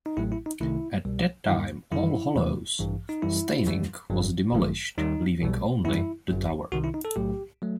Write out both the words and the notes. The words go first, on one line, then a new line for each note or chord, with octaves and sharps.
At that time All Hallows Staining was demolished, leaving only the tower.
D#4
A1 A2 F#3 A3 E4
E4
D#4
C2 C3 D#3 A3 E4
C2 B2 G3
G2 D#3 G3 E4
F#2 D#3 G3 E4
E2 C3 E3 A3
A1 G2 E3
D#4
F#2 E3 G3 E4
F#2 E3 G3
G1 G2 F#3
A1 G2 D#3 F#3 A3
D#2 D#3 G3 D#4
B1 B2 G3
F#2 E3 G3 E4
G1 F#2 F#3
C2 C3 D#3 F#4
E4
D#4
A4
B1 A2 F#3 A3 G4
F#3 A3